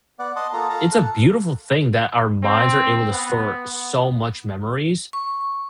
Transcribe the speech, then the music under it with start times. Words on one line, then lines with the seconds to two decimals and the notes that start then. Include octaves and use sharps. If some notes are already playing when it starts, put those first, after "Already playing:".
it's a beautiful thing that our minds are able to store so much memories,
0.19 B3 D5 F#5
0.36 D#5 F#5 A5 C6 D#6
0.53 A#3 F4 A4 A#5
0.70 A4 F5 A5 A#5
0.93 A4 F#6
2.42 C4
3.10 B3
5.13 C#6